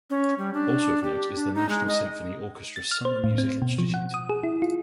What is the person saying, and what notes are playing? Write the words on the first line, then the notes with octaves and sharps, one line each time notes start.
Also of note is the National Symphony Orchestra Summer Music Institute.
C#4
G3
D4
G4
D4
D#4
G#3
D#5
A6
F6
C5
A2
C4
B2
F3
F#5
D#6
G#4
E4
F4